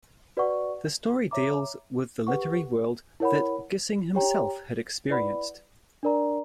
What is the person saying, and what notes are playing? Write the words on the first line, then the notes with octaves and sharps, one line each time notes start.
The story deals with the literary world that Gissing himself had experienced.
F#4 B4 D5 F#5 C#6
C#5 E5 A#5 D6
G4 B4 F#5 C#6
E4 A#4 C#5 F#5 B5
G4 C#5 G5 A#5
E4 B4 D5 F#5 B5
D4 A#4 D5 A#5